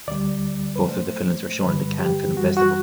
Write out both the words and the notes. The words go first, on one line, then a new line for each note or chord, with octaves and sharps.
Both of the films were shown at the Cannes Film Festival.
D2 D3 G3 D5
B4
A2 F#3 A3 C5
G2 D3 G3 B4
G4
F#2 E3 G3 F#4
F#4